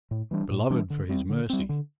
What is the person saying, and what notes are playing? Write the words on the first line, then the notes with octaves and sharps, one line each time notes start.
Beloved for his mercy!
A2
E3 G3 D4
A2
E3 G3 D4
D3
G3 C4
D3
G3 C4
D3